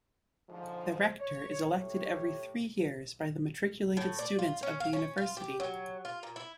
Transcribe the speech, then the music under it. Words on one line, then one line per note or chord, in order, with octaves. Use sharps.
The Rector is elected every three years by the matriculated students of the University.
G#2 D3 F3
C#5
A2 G4 C#5
A2
D5
F4
C#4
F5
C#4
F4
G4
F#3
F4
A#2
E4